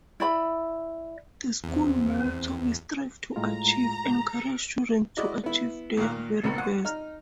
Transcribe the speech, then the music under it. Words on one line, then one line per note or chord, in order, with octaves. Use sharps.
The school motto "We Strive to Achieve" encourages students to achieve their very best.
E4 D5 B5
E2 C4
A2 G#3 F4 A#5
G#3 E4 F#4 D5 D#5
B3 E4
A#2 D#3 A#3 F5 F#6
G#1 C#2 B2 A#3 B5
F#5
D#4 A#5 F6